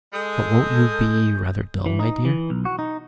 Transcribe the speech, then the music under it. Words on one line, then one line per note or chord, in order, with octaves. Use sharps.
"But won't you be rather dull, my dear?"
G#3 A4 D#6 G6
E3
D#4
E3
B1
F#4
D#4